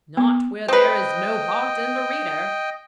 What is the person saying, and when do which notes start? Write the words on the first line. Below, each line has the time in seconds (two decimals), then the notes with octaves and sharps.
"Not where there is no heart in the reader."
0.17 B3
0.68 C4 B4 D#5 G5